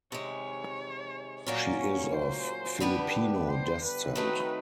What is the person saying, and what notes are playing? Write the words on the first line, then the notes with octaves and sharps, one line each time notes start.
She is of Filipino descent.
C3 D#3 G#3 C#5
A#2 F#3 A#3 C#4 D5
C#5
C5
D3 G3 B3 D4 G4 B4
C5
B4
D#3 F#3 A3 C4 D#4 B4